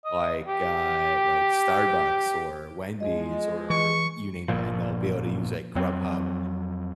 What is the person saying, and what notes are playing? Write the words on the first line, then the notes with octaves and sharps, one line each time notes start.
like, uh, like Starbucks or Wendy's or you name it, and they'll be able to use like Grubhub.
D#5
G4
F3 G#3 G#4 D#5
E3 C#6
G1 A#2 F3
F2 F#3 C4